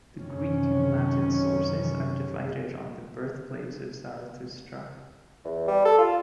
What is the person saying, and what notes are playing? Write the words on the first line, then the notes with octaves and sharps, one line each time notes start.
The Greek and Latin sources are divided on the birthplace of Zarathustra.
F#2 C3 D#3 C#4
E2
G3
A4
F4